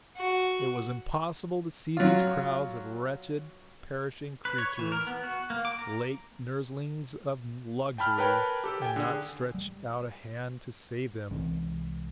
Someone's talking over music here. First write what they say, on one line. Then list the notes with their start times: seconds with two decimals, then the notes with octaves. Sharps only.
It was impossible to see these crowds of wretched, perishing creatures, late nurslings of luxury, and not stretch out a hand to save them.
0.17 F#4
1.97 F#3 F4
4.45 B4
4.58 C#5
4.79 E3
4.92 A#4
5.07 B3
5.24 F#4
5.50 A#3
5.65 D6
5.79 A#5
7.98 G5 A5 B5 F6
8.18 A#4 B4 C#5 G5 A5 B5
8.64 G4 A4
8.82 G5 G#5
8.96 D3 G#4
9.54 G3
11.31 C2 E3 G#3 C4